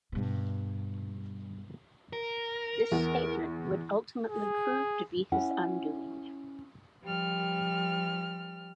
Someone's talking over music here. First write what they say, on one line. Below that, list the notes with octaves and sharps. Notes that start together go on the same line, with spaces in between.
This statement would ultimately prove to be his undoing.
G2 B2
A#4
E2
G#4
C#4 E4 F#5
F3 G3 F6